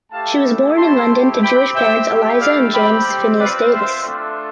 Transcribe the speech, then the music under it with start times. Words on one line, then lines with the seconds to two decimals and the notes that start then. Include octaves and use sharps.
She was born in London to Jewish parents Eliza and James Phineas Davis.
0.11 A3 E4 G4 F5 A5
0.76 A3 C4 E4 G4 A5 C6
1.42 C4 G4 G5 B5
1.75 E5 G5
2.07 A3 E4 G4
2.40 D5 F5
2.73 G3 C4 G4 G5 B5
3.38 C4 F4 B4 D5
3.71 C5 E5
4.04 A3 D4 F4